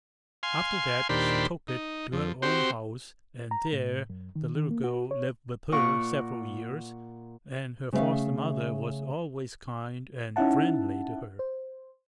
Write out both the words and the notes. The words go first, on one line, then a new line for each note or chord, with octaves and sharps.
After that she took it to her own house, and there the little girl lived with her several years, and her foster-mother was always kind and friendly to her.
F5 G#5 C6
D#2 A#2 D4 G4 C5 B5
D#4
F2
C4 F#4 G4 C5
A#5
A2
F#2
D#3
D#3
A#3
F#4
C#5
A#2 A#4 F#5 C#6
C#3 A3 B4 C5 E5 F5
C#4 D#4 E4 E5 F#5 A5
C5